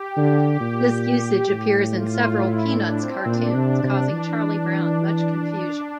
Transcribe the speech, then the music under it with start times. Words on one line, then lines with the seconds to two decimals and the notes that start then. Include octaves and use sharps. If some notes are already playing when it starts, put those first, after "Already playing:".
This usage appears in several "Peanuts" cartoons, causing Charlie Brown much confusion.
Already playing: G4
0.17 D3
0.60 A#2
1.49 A2
1.93 F4
2.37 E4
2.66 D4
2.95 C4
3.25 A#2 D4
3.54 C3
3.83 C3
4.12 E3
5.01 D4